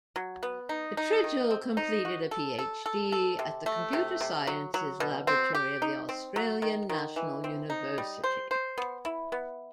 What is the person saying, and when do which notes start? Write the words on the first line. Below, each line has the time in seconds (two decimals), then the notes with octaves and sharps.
Tridgell completed a PhD at the Computer Sciences Laboratory of the Australian National University.
0.16 F#3
0.43 B3
0.69 D#4
0.97 D#4
1.24 D#3
1.51 C4
1.77 D#4
2.05 F#4
2.31 A4
2.59 A4
2.86 A4
3.12 A4
3.39 C3
3.66 A3
3.93 C3
4.21 C3
4.47 F#3
4.74 F#3
5.00 B2
5.27 C4
5.55 G4
5.82 D#4
6.09 C4
6.36 F#3
6.62 D#3
6.89 D#3
7.16 E3
7.44 C4
7.70 D#4
7.98 G3
8.24 C5
8.51 C5
8.78 B3
9.05 E4
9.32 B3